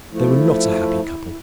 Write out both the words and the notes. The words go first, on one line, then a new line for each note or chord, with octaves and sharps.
They were not a happy couple.
F3 A3 E4